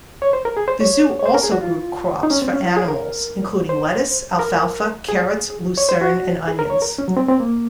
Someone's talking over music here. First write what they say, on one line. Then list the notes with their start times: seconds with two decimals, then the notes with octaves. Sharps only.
The zoo also grew crops for animals including lettuce, alfalfa, carrots, lucerne and onions.
0.22 C#5
0.33 C5
0.45 A#4
0.57 G#4
0.68 C5
0.80 C#5
1.19 C#5
1.26 C5
1.34 A#4
1.43 G#4
1.52 F#4
1.61 F4
2.23 D#4
2.30 C#4
2.42 C4
2.53 C#4
2.65 F4
2.77 G#4
2.88 A#4
3.69 C5
4.39 A#4
5.09 G#4
5.78 C#5
5.89 C5
6.01 F#4
6.48 G#4
6.59 A#4
6.70 C#5
6.82 A#4
6.98 C#4
7.08 F#3
7.17 C4
7.29 C4
7.40 A#3